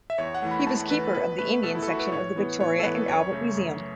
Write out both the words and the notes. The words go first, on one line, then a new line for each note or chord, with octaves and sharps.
He was Keeper of the Indian Section of the Victoria and Albert Museum.
E5
E2 C#5
F#5
E3 A3
B5
E2 A5
E3 A3 B4
B2 B4
A3 B4
B2 A4
E4
A4
A3 F#4
B4
A2 C#5
E3 B3
A2 C#5
A4
E3 B3 B4
F#2 C#5
C#3 A3
F#2